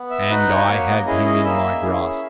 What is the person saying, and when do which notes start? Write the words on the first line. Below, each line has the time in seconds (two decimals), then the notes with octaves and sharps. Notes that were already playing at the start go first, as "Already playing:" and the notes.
And I have him in my grasp!
Already playing: B3
0.10 E5
0.30 D#4 F#4 B4
0.49 C#5
0.68 A#3 C#5
0.87 D#5
1.06 C#4 E4 G#4 D#5
1.25 D#5
1.44 A#3 E5
1.81 C#4 E4 G#4